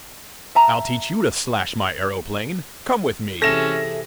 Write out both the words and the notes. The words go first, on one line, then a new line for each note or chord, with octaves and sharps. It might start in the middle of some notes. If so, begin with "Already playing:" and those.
"I'll teach you to slash my aeroplane! Come with me!"
E5 A5 A#5
C3 E3 C#4 G#4 A4 E5 A#6 E7